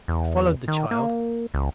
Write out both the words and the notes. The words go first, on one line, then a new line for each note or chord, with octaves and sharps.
I followed the child.
E2
D#3
A#3
C#2